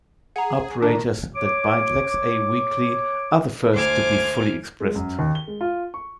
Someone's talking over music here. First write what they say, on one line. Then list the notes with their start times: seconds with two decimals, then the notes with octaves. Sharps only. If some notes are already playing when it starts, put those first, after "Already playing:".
Operators that bind LexA weakly are the first to be fully expressed.
0.36 G#4 F#5 A#5
0.82 B2 D#3 D4 A#4
1.36 C#5 D6
3.73 D2 C5 G#5 D6 F6
4.80 G#3
4.95 F#2
5.19 D#2
5.35 G7
5.48 G#3
5.61 F4
5.94 C#6